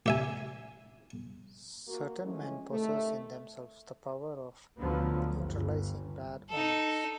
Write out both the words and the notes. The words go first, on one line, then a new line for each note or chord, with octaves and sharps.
Certain men possess in themselves the power of neutralizing bad omens.
G4 E5 G#5
A#3 F#4
E3 F3 G#3 A3 C#4
A2 C3 D#3 A3
D2 D3 F3 F#3 B3
G1
D#4 A4